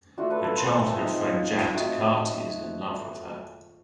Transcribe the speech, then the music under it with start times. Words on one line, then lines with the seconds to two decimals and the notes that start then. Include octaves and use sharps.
Her childhood friend Jad Takarty is in love with her.
0.18 A3 D4 F4 F#4
0.30 A4 B4
0.44 A4 B4
0.56 A#4 C5
0.76 A4 B4
0.96 G#3 C4 D#4 F4
1.74 A3 C4 D#4 F#4